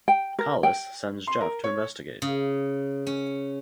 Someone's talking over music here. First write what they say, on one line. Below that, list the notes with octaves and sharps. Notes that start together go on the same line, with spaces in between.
Collis sends Jeff to investigate.
G5
A#4
G5
C6
A#4
C#5
C#3
C#4